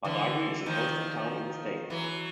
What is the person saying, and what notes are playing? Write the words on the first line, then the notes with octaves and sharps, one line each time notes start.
Badagry is a coastal town in the state.
D3 E3
D#3 F3
E3 F#3